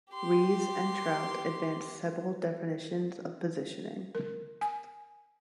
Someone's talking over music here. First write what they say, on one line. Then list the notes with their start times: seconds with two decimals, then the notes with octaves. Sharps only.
Ries and Trout advanced several definitions of positioning.
0.12 G4 C6
4.15 A#4
4.61 G#5